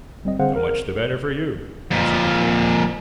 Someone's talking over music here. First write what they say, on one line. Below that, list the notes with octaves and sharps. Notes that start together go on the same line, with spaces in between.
"So much the better for you!" answered the Coal Man.
G1 G3 C4 D#5
D3 C4 G#4 C5 F5 F#5
A#4
F2 A#2